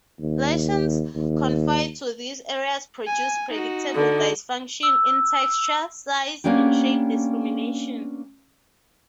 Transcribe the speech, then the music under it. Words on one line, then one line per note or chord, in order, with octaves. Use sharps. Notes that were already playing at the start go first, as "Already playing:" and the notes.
Lesions confined to these areas produce predictable dysfunction in texture, size, and shape discrimination.
D#2
D#2
G#5
D#4 F#4
D3
E6
A#3 B3 C#4 D4 G4